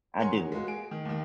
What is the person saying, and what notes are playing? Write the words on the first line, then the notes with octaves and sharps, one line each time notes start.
I do.
A#4 C#5 F#5 G#5 A#5 C6
E2
G#3 A#3 F#4
G#4 D7
D#3
D#2 D#3